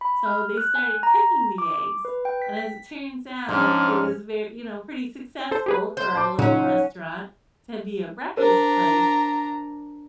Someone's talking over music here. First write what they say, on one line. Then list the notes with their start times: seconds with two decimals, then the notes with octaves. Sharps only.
so they started cooking the eggs and as it turns out, it was ve you know, pretty successful for a little restaurant to be a breakfast place
0.01 B5
0.26 F6
0.57 F#6
0.75 G#5
1.03 A#5
1.58 D6
2.05 B4
2.25 G5
2.42 B6
2.57 B6
3.49 G#2 F3 C#4 D4 F6
5.51 A4 C5
5.66 G4 G#4 B4
5.97 C5
6.14 A5 C6 D6
6.39 A#2 C#3 F#3 C#4 D#4
8.37 D4 A#4 C5 A#5